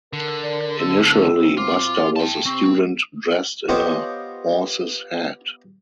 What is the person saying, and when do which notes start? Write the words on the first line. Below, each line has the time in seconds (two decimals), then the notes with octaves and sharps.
Initially Buster was a student dressed in a horse's head.
0.13 D3 A#4
0.43 D5
0.80 F#2 C4 E6
1.57 F4 D6
2.16 G5 A5
2.46 C3 C4 C#6
3.69 B3 F4 G4 C5 C#5 D#5